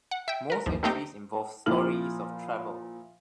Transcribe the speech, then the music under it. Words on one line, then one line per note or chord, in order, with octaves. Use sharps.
Most entries involved stories of travel.
F#5
E5 G5
A#4 B4
G1 D#2 F3
G3 A3 A#3 C4 D#4 G4
A#2 F3 E4 F6 F#7